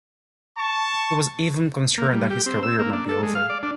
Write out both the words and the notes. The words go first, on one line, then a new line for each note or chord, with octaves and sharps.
He was even concerned that his career might be over.
A5 C#6
A#3
G3
G4
C4
E6
A#3
D4
A4
G#3
F5
D5
D4